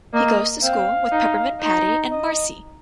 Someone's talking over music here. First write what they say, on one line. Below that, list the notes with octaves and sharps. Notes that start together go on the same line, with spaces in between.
He goes to school with Peppermint Patty and Marcie.
A#3 D#5
C4 F5
D#4
D#4
D#5